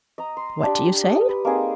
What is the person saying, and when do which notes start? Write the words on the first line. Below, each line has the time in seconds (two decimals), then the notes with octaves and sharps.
"What do you say?"
0.18 D#5 A#5
0.37 C6
0.63 D4 G4
1.04 D#6
1.29 B4
1.45 A#3 C4 D#4 G#4